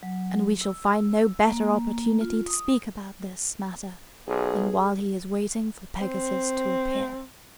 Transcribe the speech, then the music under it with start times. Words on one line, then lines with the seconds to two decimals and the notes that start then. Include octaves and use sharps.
And we shall find no better opportunity to speak about this matter than while he is waiting for Pegasus to appear.
0.03 F#3
0.61 E6
1.47 A#3
2.21 F4
2.47 D#6
4.28 B1 G#4
6.01 C4